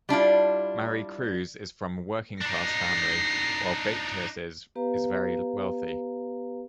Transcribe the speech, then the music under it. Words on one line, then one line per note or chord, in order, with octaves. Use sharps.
Maricruz is from a working-class family, while Beatriz's is very wealthy.
G3 D4 E4 F4
D4 D#4 A#6 C7
B3 G4 B4 F5 A#5